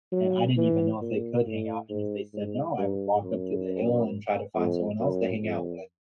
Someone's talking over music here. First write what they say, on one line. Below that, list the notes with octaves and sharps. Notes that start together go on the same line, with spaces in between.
and I didn't even know if they could hang out, and if they said no, I would walk up to the hill and try to find someone else to hang out with.
F#3
E3
A#2
A2
G#2
G#2
G2
F#2
F2
F#2
F2